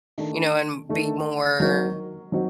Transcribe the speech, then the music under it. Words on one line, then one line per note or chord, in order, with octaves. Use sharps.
you know, and be more
D#3 A3 D4
D#3 A3 D4
F#3 C4 D#4 F#4 A#4
F#3 C4 D#4 F#4